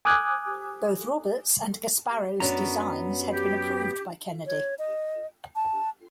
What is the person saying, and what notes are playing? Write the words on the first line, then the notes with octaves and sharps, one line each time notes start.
Both Roberts' and Gasparro's designs had been approved by Kennedy.
G#5 D6 D#6 F6 F#6 G#6
F#2 F#3 B3 D4 A#5
G4
C#5
D#5
A5